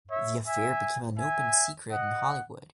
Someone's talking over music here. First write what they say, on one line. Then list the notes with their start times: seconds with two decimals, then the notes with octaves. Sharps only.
The affair became an open secret in Hollywood.
0.09 C#5 E5
0.45 E5 G#5
1.17 E5 G#5
1.89 D#5 F#5